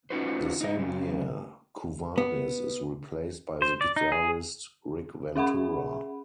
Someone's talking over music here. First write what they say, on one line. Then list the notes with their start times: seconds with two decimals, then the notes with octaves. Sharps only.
The same year, Kouvaris is replaced by the guitarist Rick Ventura.
0.10 C#4 D#4 F4 F#4 B4 C5
0.61 D#4 E4 D#5
0.76 F#2 C#3 C4
2.18 B3
3.62 C5
3.81 D5
3.96 D#4
4.12 G#4
5.36 C#4 G#4 E5 F#5 B5